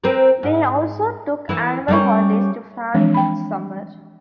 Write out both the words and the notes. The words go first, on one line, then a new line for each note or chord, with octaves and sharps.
They also took annual holidays to France each summer.
C4 A#4 B4
G#2
E3 A#3 E4
G3 A#3 C#4
E3 F3 G#3 C4 D4 C#5
G5 B5